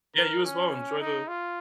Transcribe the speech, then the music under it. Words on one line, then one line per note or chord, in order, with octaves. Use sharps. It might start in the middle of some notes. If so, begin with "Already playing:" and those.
Yeah, you as well. Enjoy the
A#4
C#4
D#4
F4